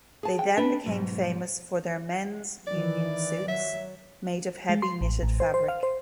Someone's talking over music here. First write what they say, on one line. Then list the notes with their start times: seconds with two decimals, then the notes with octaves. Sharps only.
They then became famous for their men's union suits made of heavy knitted fabric.
0.23 G#4 A5
0.39 G5
0.58 D4 B4
0.86 B1 G#2
2.67 D#3 E3 D5
3.48 F#3 E5
4.69 G#3
4.82 C6
5.01 A1
5.23 A1
5.40 C5
5.54 C5
5.68 F5
5.83 C5